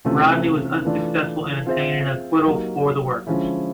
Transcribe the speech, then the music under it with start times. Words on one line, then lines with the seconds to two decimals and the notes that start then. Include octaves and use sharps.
Rodney was unsuccessful in attaining an acquittal for the workers.
0.05 C3 E3 A3 C#4 F4
0.85 E3 A3 D4 F4 A4
1.66 C4 F4 G#4 C5 E5
2.47 F#3 A#3 D#4 G4 A#4
3.27 D3 F3 G#3 C#4 E4